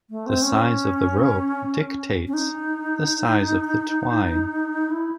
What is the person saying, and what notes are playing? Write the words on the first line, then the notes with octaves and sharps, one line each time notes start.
The size of the rope dictates the size of the twine.
A3
C4
C#4
C#4
D#4
E4